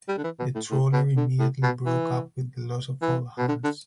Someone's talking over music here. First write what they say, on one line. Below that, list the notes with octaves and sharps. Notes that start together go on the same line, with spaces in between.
The trawler immediately broke up with the loss of all hands.
G3
D3
E3
B2
A2
A2
B2
D3
A2
B2
E3
E3
B2
D3
D3